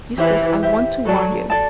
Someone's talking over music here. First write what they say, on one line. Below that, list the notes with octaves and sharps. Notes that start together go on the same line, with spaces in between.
Eustace, I want to warn you.
E3 G4 C5 E5
G4 C5 E5
F#3 A4 D5 A5
A4 D5 A5